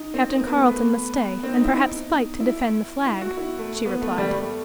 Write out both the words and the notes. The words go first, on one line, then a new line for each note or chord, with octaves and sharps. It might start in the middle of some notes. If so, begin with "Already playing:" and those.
"Captain Carleton must stay and perhaps fight to defend the flag," she replied.
Already playing: D#4
C4
C4
B3
A3
B3
C4
D#4
E4
D#4
E4
E4
F#4
E4
A3
B3
A3
G3
A3